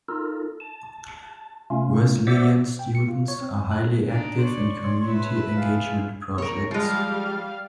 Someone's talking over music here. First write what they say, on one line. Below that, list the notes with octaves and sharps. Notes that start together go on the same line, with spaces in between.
Wesleyan students are highly active in community engagement projects.
D#4 F4 A4 A#4
A5
C3 A3 A#3 C#4 F4
C5 D5 E5 F#5 D6 E6
G5
C#7
F4
C#5
C4
F#2
F#6
D4 D#4
C#5 D5 C6
B4 E5 A5
F4 G#4
A#3 A#4 C#5
F3 G3 G#3 F5